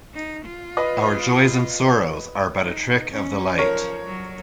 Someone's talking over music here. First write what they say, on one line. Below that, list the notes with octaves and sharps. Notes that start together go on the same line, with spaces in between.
Our joys and sorrows are but a trick of the light.
D#4
F4
B4 D#5
D#4
C#4
F3 A#4 C#5
F#3